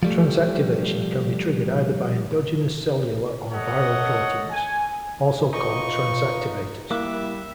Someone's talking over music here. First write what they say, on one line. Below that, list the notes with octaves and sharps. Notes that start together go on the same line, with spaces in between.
Transactivation can be triggered either by endogenous cellular or viral proteins, also called transactivators.
F3 G3 A3
A4 C#5 D#5 F#5
G#5
D#4 F4 B4 D#5 C#6
G3 A#3 E4 E5 D6 F#6